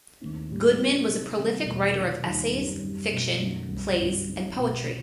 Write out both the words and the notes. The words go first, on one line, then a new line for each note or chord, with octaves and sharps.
Goodman was a prolific writer of essays, fiction, plays, and poetry.
D#2 D#3 A3 C4 E4
A2 E3 G3
A2 E3 B3 F#4
C3 F#3 A3 C4 D#4
C3 D#3 G3 C4
E2 B2 A3 E4
C3 D#3 F#3 A3
D#2 D#3 G3 D#4
F#2 D#3 G3 C4 D#4
F#2 D#3 G3
B2 F#3 A3 C4 F#4
F#2 D#3 F#3 A3
C2 C3 E3 G3
G2 D#3 F#3 C4
D#3 F#3 C4 D#4
B2 A3 C4 F#4
C3 E3 B3